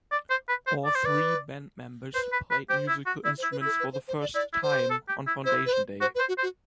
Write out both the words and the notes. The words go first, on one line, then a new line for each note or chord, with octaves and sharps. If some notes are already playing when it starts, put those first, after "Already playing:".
All three band members played musical instruments for the first time on foundation day.
D5
C5
B4
C5
D5
C5
B4 D5
B4 C5
B4
B4
G4 C5
E4
F#4
E4 D5
C5
E4
B4
E4 A4
B4
C5
C5
D5
E4 D5
E4
C5
G4
A4
G4
E4
E4 C5
B4
C5
F#4 C5
B4
C5
F#4
C5
F#4